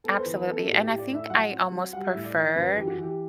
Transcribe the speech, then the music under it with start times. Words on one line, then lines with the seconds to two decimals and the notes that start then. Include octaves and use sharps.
Absolutely, and I think I almost prefer
0.04 B3 A4
0.14 C5
0.20 B4
0.25 E3
0.36 B4
0.47 B3 A4
0.67 A2 F#4
0.83 G4
0.88 A2
0.98 D5
1.09 A2
1.14 E5
1.30 F#3 F#5
1.51 C4
1.72 F#3
1.93 G3 F#5
2.09 A2 E5
2.24 D5
2.35 E3
2.56 F#2 B4
2.76 E3 G4
2.87 F#4
2.98 E3
3.03 G4